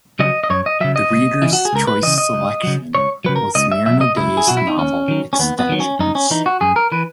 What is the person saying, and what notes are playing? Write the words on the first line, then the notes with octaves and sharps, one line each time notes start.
The Readers' Choice selection was Myrna Dey's novel "Extensions".
C#3 F#3 D#5
D#5
F#2 C#5
D#5
C#3 F#3 E5
D#5
C#2
C#3 E3 E4
F#4
G#4
C#2 A#4
B4
C#3 E3 D#5
D#5
C#2
C#3 F#3
C#2 C#5
C#3 F#3 B4
A#4
C#2 D#5
E5
B2 F#3 E5
D#5
C#2 E4
G#4
B2 F#3 F#4
E4
D#4
D#2 C#4
D#3 F#3
C#4
D#2 B3
B3
D#3 F#3
C#4
F#2 D#4
C#4
E3 D#4
F#4
F#2 G#4
A#4
E3 B4